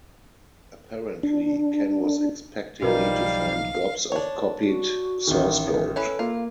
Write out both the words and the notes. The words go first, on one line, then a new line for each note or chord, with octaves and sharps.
Apparently, Ken was expecting me to find gobs of copied source code.
D4
B1 F3 G3 D#4 F#4 A#4 B4 F5
D4 C#5
F#4
A1 D#3
C#4 E4 A4 B4
A#3 F4